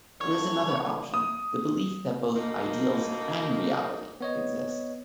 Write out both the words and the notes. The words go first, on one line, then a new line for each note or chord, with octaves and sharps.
There is another option: the belief that both ideals and "reality" exist.
F#2 D3 E3 C#5
D#6
D2 B2 A#3 D#4
B3 C#5 D#5